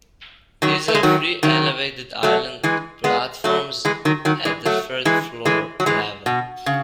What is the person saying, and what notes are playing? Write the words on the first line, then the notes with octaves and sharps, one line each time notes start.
These are three elevated island platforms at the third-floor level.
D#3 F#3
A3
G#3
D#3 F#3
D#3 F#3
F#3 A3
E3 G#3
G#3 B3
F#3 A3
E3 G#3
D#3 F#3
D#3 F#3
E3 G#3
F#3 A3
E3 G#3
E3 G#3
F#3
E3 G#3
B2
C#3